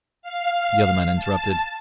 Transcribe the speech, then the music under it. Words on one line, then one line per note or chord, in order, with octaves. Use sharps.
The other man interrupted.
F5
A5